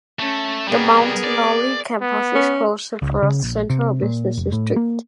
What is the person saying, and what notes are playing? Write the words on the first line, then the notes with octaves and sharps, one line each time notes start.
The Mount Lawley Campus is close to Perth's central business district.
A3 C#4
B2 G3 B3 G#4 A#4
D5
B3
C#4
C#2
C#3
A#1
C3
A#2
F1
A2
A#3